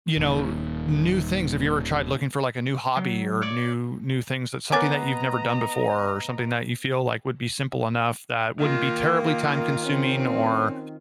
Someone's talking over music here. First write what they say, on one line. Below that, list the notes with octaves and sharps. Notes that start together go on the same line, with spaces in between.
You know, new things, have you ever tried looking for, like, a new hobby, or new new things that's something that you've never done before, or something that you feel like would be simple enough, that wouldn't be terribly time-consuming or,
D#1 D#2
F#3
C#5 D5
B3 A#4 C#5 D#5 G#5 A#5 D6 A6
D#3 A#3 F4
F4
C4 C#4